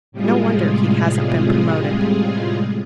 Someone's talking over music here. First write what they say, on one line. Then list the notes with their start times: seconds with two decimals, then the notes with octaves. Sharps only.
No wonder he hasn't been promoted.
0.12 A2 C3 G3 G#3 F4 G#4